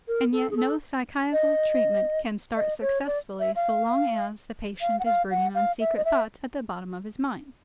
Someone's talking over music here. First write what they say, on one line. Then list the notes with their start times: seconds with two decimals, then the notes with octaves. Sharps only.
And yet no psychical treatment can start successfully so long as the patient is brooding on secret thoughts at the bottom of his mind.
0.08 A#4
0.32 A4
0.51 G#4
0.57 A4
1.33 D#5
2.56 D#5
2.81 C#5
3.07 D5
3.40 E5
3.56 F5
4.81 F5
4.99 F#5
5.05 F5
5.31 F#5
5.55 F5
5.80 E5
5.97 D#5
6.05 E5